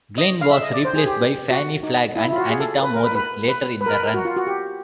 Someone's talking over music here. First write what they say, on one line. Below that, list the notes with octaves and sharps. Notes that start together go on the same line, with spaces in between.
Glynn was replaced by Fannie Flagg and Anita Morris later in the run.
D#5
F5
E5
D#5
D5
C5
G#4
G4
F#4
D#4
E4
E4
F4
F#4
G#4
A4
B4
A#4
B4
B4
B4
B4
A#4
B4
A#4
F#4
F4
F#4
G4